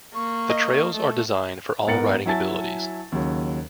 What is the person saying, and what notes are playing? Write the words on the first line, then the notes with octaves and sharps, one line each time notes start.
The trails are designed for all riding abilities.
A#3 C#6
D#5
A3
G#2 B3 A#4 A6 C#7 F#7
F#3 E4 E5 G#5 A5 A6
D#2 C#3 F#3